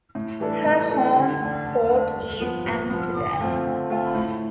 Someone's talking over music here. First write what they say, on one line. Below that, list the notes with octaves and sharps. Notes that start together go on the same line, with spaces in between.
Her home port is Amsterdam.
A2
E3 G3 D4 A4
A2
E3 G3 D4 A4
D3
A3 D4
D3
A3 D4
G2
F3 B3
G2
F3 B3
D3
A3 C4 F4
D3
A3 C4 F4
A2